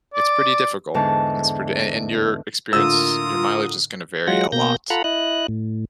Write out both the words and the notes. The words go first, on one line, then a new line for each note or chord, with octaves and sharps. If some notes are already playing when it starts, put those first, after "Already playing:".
it's pretty difficult, it's pretty and and your experience, your mileage is going to vary a lot,
D5
E2 G#2 D3 A5
A2 D3 A#3 F4 A#4 D#6 E6
F#3 G#3 F4 F#5 A#6
B2 A#3 G6 A#6
F4 A4 F#5 A#5 B5
E4 D#5 F#6
A2